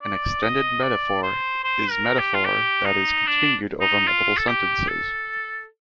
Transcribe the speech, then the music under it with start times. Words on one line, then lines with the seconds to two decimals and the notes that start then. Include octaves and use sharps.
An extended metaphor is metaphor that is continued over multiple sentences.
0.02 D5
0.42 D#5
0.83 D5
1.23 C5
1.64 C5
1.91 A#4
2.18 G4
2.35 F4
2.45 G4
2.86 D#4
3.27 D4
3.81 D#4
4.08 F4
4.37 A4
4.48 G4
4.89 A4